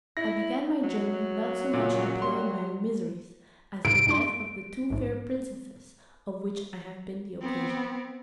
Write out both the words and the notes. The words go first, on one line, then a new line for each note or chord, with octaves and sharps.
I began my journey, not so much deploring my own miseries, as the death of the two fair princesses, of which I have been the occasion.
E4 A#6
F#3
A#2 C#3 C#4
G3 C6
G#2 C3 D7
F#2 D4 C6
A#1 G#2
B3 C4